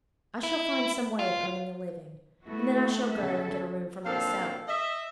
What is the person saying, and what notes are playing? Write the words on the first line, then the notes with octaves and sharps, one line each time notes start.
I shall find some way of earning a living, and then I shall go and get a room for myself.'
E4
F4
A3 B3 E4 F#4
C#3 A4 E5
F#2 A#2 C4 D4 A4 F5
D#5 E5